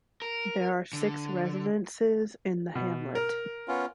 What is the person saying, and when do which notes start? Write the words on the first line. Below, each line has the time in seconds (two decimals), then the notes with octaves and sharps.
There are six residences in the hamlet.
0.22 A#4
0.93 D3
2.75 B2
3.15 A#4
3.68 B3 C#4 F4